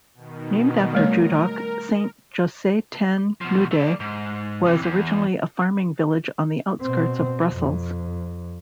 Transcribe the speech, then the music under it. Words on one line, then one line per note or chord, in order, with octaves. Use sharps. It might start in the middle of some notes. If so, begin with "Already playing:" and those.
Named after Judoc, Saint-Josse-ten-Noode was originally a farming village on the outskirts of Brussels.
B2 D#3
G3 A3 A#4 C#5
B2 F3
A3 D5
G#2
C3 E3
E2
B2 C4
F2